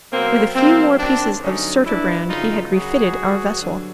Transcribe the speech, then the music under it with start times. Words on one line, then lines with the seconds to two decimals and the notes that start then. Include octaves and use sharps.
With a few more pieces of surturbrand he had refitted our vessel.
0.12 B2 F#3 A#3 C4
0.55 B2 F#3 A#3 C4
0.99 F#2 D#3 F#3 C4 D4
1.42 G2 D3 F#3 C#4 D#4
1.86 G2 E3 D4 E4
2.29 F#2 C#3 F3 D#4 F4
2.73 F#2 C#3 F#3 F#4 G#4
3.16 G#2 D#3 F#3
3.60 G2 D3 F#3